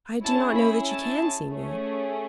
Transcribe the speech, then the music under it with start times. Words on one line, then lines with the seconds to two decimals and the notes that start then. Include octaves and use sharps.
"I do not know that you can see me."
0.23 C#4 E4 G#4 A5
0.55 B5
0.87 A5
1.51 A3 C#4 G#4